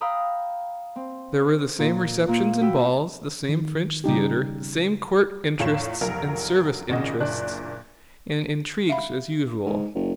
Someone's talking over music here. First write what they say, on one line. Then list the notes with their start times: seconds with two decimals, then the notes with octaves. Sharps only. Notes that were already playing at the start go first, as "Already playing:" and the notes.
There were the same receptions and balls, the same French theater, the same court interests and service interests and intrigues as usual.
0.01 F5 G5 A#5 B5 D#6 E6
0.96 C4
1.79 A#2
2.28 A#2 A#3
2.61 F#4 B4 G5 E6
3.49 D#3
4.04 C#3 G3 D#4 G4
5.59 E2 A2 F4 C#5 E7
6.01 F1 B1 F#3 F4 A#4
6.89 G#1 A#2 C#3 F#4 D#5
7.20 F#1 A#2 D4 F#6
8.89 E5 F5 B5
9.66 G#2
9.95 F#1